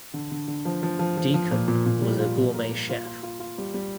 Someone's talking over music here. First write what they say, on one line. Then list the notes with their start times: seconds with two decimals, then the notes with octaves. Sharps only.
Deacon was a gourmet chef.
0.14 D3
0.31 D3
0.48 D3
0.65 F3
0.83 F3
0.99 F3
1.17 F3
1.34 F3
1.51 A#2
1.68 A#2
1.86 A#2
2.02 G3
2.20 F4
2.38 A#2
2.54 A#3
2.72 A#3
2.89 F4
3.06 F4
3.23 F4
3.40 F4
3.58 G3
3.74 G3